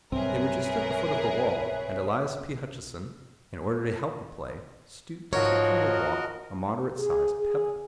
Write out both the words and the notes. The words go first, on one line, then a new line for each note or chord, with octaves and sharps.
They were just at the foot of the wall, and Elias P. Hutcheson, in order to help the play, stooped and took from the walk a moderate sized pebble.
B1 G2 C4 G#4 A#4 B4 C#5 E5
G#2 F3 F#4 A#4 C#5 D#5
G#4
G#4